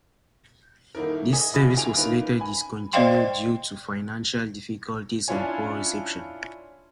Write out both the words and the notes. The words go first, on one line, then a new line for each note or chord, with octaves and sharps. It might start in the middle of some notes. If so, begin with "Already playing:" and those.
This service was later discontinued due to financial difficulties and poor reception.
D#1 A#3 D#4 E4 A#4
G#4 D#5 E5 G#5
E1 C#3 F3 F#4 D#5 B5
G2 D3 E4 G#5 D7 F7
A#3 C#4 D#4 F4 B4
G#5 B5
C5 D5 D#5 F5 G5 C6
C#4 D4 E4 F4 C#5 G#5